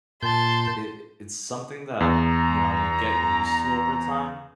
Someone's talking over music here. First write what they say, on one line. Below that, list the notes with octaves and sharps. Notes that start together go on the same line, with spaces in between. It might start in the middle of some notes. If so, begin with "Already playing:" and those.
it it's something that, you know, you get used to over time,
A#2 A5 C6 G6
E2 A#5